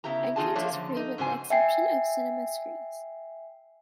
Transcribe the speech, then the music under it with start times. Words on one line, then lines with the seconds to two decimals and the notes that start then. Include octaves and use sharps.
Entrance is free with the exception of cinema screens.
0.04 C#3 B3 E4 G4 A#5
0.36 E2 D#4 F4 G#4 F#5 A5
0.55 F3 A3 A#3 D4 F4 C#5
0.72 D3 F3
0.97 D#4
1.18 G#2 C#3 C4 F#4 C5 G#5
1.50 E5 G5 G#5 C7